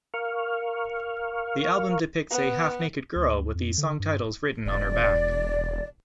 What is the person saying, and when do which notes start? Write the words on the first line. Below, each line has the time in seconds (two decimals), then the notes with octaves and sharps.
The album depicts a half-naked girl with the song titles written on her back.
0.14 A#4 F5 C#6 F6
2.30 B3
3.16 D2
3.55 F2
3.78 D3
4.00 G2
4.66 E1 D5